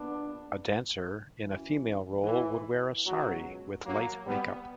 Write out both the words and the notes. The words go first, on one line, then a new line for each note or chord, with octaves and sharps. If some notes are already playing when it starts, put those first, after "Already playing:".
A dancer in a female role would wear a "Sari" with light makeup.
Already playing: A#1 A#2 B3 D4
F#2 E3
E3
C#2 B2 F#3
F#3 A#3
G3 B3